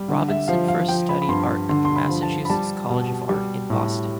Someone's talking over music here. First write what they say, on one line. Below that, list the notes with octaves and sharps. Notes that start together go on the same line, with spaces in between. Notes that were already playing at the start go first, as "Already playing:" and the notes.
Robinson first studied art at the Massachusetts College of Art in Boston.
Already playing: G3
D3
E5
F3 F5
F5
F3 G5
B5
B5
G2 C6
D3 C6
C6
B5
F3
A5
B5
G3 A5
B2
G3
A2